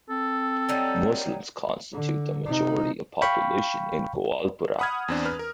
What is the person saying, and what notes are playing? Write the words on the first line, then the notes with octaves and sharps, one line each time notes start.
Muslims constitute the majority of population in Goalpara.
C4 A4
F#3 G3 D#4
D3
C3 D#4
F5 G5 B5 C#6
F#5 B5 D#6 F6 G#6
E2 C4 D4
B4 F6
A#4